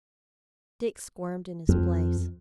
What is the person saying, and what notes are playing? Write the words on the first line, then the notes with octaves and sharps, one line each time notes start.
Dick squirmed in his place.
F2